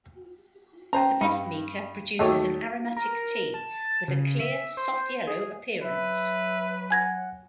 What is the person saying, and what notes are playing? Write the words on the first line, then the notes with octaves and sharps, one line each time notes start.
The best Mecha produces an aromatic tea with a clear, soft yellow appearance.
C#4 C5 G5 A#5
G2 D4 F5 B5
D#2 A3 F#4 G#4 C#5 D#5
A#4
A5
C#3
E5
C5
G#4
F#3 B4 E5
F#5 G#5 G#6 A#6